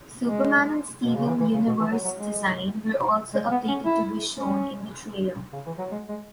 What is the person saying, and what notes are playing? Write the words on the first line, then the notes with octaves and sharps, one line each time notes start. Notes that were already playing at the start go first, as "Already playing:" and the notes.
Superman and Steven Universe’s designs were also updated to be shown in the trailer.
G#3
B2
C#3
E3
E3
C#3
B2
E3
F#3
F#3
G#3
G#3
B3
C#4
E4
C#4
C#3
E3
F#3
G#3
G#3